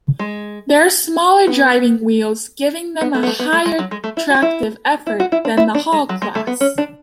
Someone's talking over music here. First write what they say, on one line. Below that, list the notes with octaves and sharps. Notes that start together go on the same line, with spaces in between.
Their smaller driving wheels giving them a higher tractive effort than the Hall Class.
G#3
B3
B3
A3
B3
A3
B3
A3
G#3
F#3
G#3
A3
E4
F#4
E4
E4
F#4
E4
D4
E4
D4
G#3
F#3
G#3
A3
B3
C#4
D4